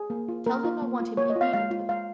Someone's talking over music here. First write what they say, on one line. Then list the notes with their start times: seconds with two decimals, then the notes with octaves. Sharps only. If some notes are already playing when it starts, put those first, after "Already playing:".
"Tell him I want him immediately."
Already playing: G#4
0.10 A#3
0.28 F4
0.46 A#3 A#4
0.64 F4
0.82 A#3
1.00 F4
1.17 A#3 C#5
1.30 D#5
1.36 F4
1.41 F5
1.53 G#3 F5
1.71 F4
1.89 G#3 F5